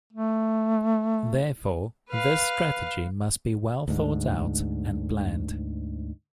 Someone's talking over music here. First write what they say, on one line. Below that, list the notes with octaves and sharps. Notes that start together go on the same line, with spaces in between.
Therefore, this strategy must be well thought out and planned.
A3
B4 F5
D2 G#2